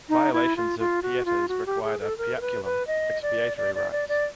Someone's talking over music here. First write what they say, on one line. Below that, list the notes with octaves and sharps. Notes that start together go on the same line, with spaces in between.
Violations of "pietas" required a "piaculum", expiatory rites.
D#4
E4
F4
F4
F#4
F4
F#4
G4
G#4
A4
A#4
A#4
B4
B4
D#5
D5
D5
D5
D5
D5